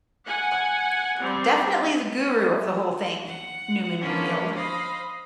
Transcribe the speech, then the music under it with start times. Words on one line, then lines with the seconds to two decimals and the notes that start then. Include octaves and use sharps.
Definitely the guru of the whole thing, Newman revealed.
0.25 F#5 G#5
1.20 G3 C4
3.26 F#5
4.01 D3 F3 A#3 B3 C#4 D4
4.54 C5 D#5 F5 B5